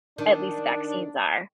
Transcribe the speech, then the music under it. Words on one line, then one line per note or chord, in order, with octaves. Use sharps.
at least vaccines are.
D#3 D4